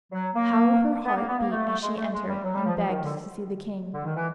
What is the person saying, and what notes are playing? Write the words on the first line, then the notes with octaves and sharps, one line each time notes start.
How her heart beat as she entered, and begged to see the king!
F#3
A#3
B3
A#3
B3
A#3
A3
A3
G#3
A3
G#3
G3
F#3
G3
F3
F3
D#3
D3
D3
D#3
E3